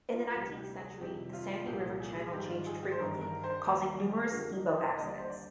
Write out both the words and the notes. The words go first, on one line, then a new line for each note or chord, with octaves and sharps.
In the nineteenth century, the sandy river channel changed frequently, causing numerous steamboat accidents.
F4
F4
D2 C3 G3 G4
G4
G#4
F2 C3 D#3 G3 G4
F4
C2 A#2 F3 G4
G#4
G#2 D#3 G3 G4
F4
G#4
G4
C5
G2 D#3 G3 A#4
A#4
C5
D#2 D#3 G3 A#4
G#4
F2 D3 F3 G4
D#4
C5
D#2 D3 G3 D#5
D5
C5
D5